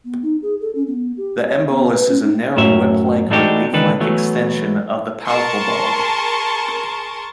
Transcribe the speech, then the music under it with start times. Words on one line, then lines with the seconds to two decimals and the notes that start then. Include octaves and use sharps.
The embolus is a narrow whip-like or leaf-like extension of the palpal bulb.
0.05 B3
0.23 D#4
0.42 G#4
0.61 A4
0.75 C#4
0.87 B3
1.17 G4
1.47 C#5
1.70 B3
1.92 B4
2.09 C#4
2.23 D#4
2.56 F#2 A2 F#3 C#4 E5
3.30 E3 A3 D4 D#4 F#4 G4
3.73 C#2 D#3 E3 D4 A4 B4
4.00 E3 F#3 A3 B3
5.25 G#4 A#4 A5 C6 C#6